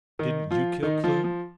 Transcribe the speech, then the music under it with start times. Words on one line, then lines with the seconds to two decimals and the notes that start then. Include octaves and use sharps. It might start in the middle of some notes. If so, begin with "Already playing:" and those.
"Didn't you kill Kloon?"
0.19 D#3 D#4
0.50 F3 F4
0.83 D#3 D#4
1.04 F3 F4
1.24 F3